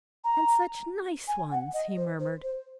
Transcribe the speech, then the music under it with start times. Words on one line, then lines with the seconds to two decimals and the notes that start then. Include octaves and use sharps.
"And such nice ones," he murmured.
0.24 A#5
1.28 G#5
1.51 F#5
1.74 D#5
1.96 C5
2.20 C5
2.43 C5